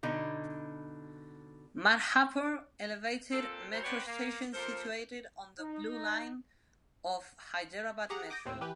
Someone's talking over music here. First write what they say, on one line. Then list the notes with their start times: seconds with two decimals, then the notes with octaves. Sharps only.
Madhapur elevated metro station situated on the Blue Line of Hyderabad Metro.
0.03 B2 D3 D#4
3.31 A#2 C4 A4
3.72 E3 F#3 A#4 C5
3.84 B3 C4 D4 G4 B4 C#5
4.06 A#3
4.53 F3 A#3 A4 A#4 C5
5.60 D#4
8.10 G4 G#4 F#5 A#5
8.30 D6 D#6 G6 A#6 D7
8.45 D#2 A2 C4 E6
8.61 E3 G4 B4